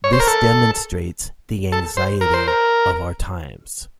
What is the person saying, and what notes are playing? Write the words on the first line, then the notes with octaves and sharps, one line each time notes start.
This demonstrates the anxiety of our times.
C#5
C5
A#4
A4
A4
C5
A#4
C5
A#4